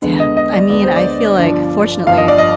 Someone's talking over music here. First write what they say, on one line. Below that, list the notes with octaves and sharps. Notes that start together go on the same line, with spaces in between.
Damn, I mean, I feel like, fortunately
D2 D3 G#3 B3
D#5
D#5
D5
D2 D3 G#3 B3 D5
C5
D5
G1 G2 F3
G1 G2 F3 F5
D#5
D5
D#5